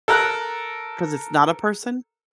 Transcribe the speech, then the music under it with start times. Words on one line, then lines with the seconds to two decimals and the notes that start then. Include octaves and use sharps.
'Cause it's not a person?
0.08 A4 A#4 A#5 F#6